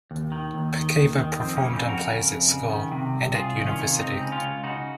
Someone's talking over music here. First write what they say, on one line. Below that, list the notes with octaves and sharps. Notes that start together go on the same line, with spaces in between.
Pickhaver performed in plays at school and at university.
D#2
D#3
D#2
D#3
D#2
D#3
F2 C4
A#3 C#4
C#3
C4 D#4
F2
F#4 A#4
C#3
F2
C#3
D#3
C3
C2
C2 F4 G#4
D#3
C#4 F4
C3
C#2 C4 D#4
C#3
C#4 F4
C#2
C#3 D#4 F#4